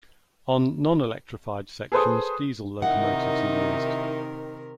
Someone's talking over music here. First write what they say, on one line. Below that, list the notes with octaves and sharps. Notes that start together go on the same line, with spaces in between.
On non-electrified sections diesel locomotives are used.
G#4 A4 B4 C5 C6 D#6
C3 D#3 D#4 E4 A#4 F#5